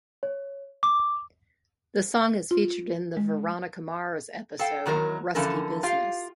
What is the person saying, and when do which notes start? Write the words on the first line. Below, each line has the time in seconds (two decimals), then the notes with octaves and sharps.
The song is featured in the "Veronica Mars" episode "Ruskie Business".
0.23 C#5
0.83 D6
2.51 F4
3.17 G#3
4.59 A4 F5 G5
4.86 E2 D#3 F#3 A#4 A#5
5.35 D3 E3 F3 C#4 A4 A#4
5.83 F4 G4 F5